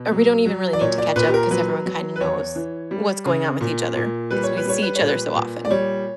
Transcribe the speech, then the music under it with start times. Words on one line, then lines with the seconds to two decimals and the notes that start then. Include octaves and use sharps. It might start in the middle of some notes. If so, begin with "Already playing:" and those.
or we don't even really need to catch up 'cause everyone kinda knows what's going on with each other 'cause we see each other so often.
Already playing: B2
0.12 F#3
0.46 F#3
0.73 D5
0.81 A#2 C#5
0.98 D5
1.16 A#2 B4
1.28 G4
1.34 A#4
1.51 F#3 B4
1.86 F#3
2.16 B4
2.21 E2 C#5
2.56 E3
2.91 G3
3.26 C#3
3.61 A#2
3.96 A#2
4.31 G3 B4
4.43 C#5
4.57 B4
4.65 G3 C#5
4.82 B4
4.96 A#2 C#5
5.08 B4
5.35 A#2
5.65 D5
5.71 G3 C#5